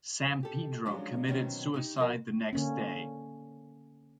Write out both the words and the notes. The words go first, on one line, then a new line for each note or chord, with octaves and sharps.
Sampedro committed suicide the next day.
F2
G4 A4
F3 F#3 G#3 C#4 D4
B2 D#3 F#3 C4 C#4
D#4 G4
F3 F#4 A#4 E5
D3 A#3 C#4